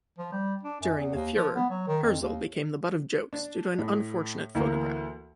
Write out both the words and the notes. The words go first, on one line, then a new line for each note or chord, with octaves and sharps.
During the furor, Perzel became the butt of jokes due to an unfortunate photograph.
F3
G3
D4
F#2
E2
D#2
F3
B3
F#3
D#3
F2
D#2
D4
A2
D2 E3 A#3